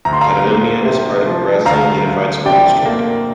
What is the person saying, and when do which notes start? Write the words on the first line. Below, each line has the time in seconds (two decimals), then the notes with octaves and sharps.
Caledonia is part of Racine Unified School District.
0.05 D2 A#5
0.13 C6
0.21 F5 A#5
0.45 A#3
0.85 C3
1.26 F3
1.65 D2 F5 A#5
2.05 D2
2.46 C3 D5 G5
2.86 A#3